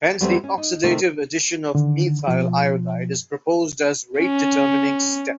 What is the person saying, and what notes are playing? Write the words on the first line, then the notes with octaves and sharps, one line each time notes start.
Hence the oxidative addition of methyl iodide is proposed as rate-determining step.
E2 F#3 G3 A3 B3 C4
C#4
D#4
C3 D#3 A3
D3 D#3
B2 F3
C#4